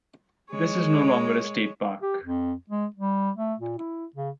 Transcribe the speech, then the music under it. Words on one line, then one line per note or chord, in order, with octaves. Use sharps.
This is no longer a state park.
G#3 C#5
G4
F2
G#3
G3
A3
A#2
E4
C#3